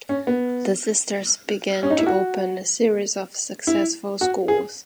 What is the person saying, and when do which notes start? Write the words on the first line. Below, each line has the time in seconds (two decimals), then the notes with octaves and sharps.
The Sisters began to open a series of successful schools.
0.09 C#4
0.27 B3
1.83 C#4
1.90 D#4
1.98 E4
2.07 F#4
3.67 E4
4.21 F#4
4.48 G#4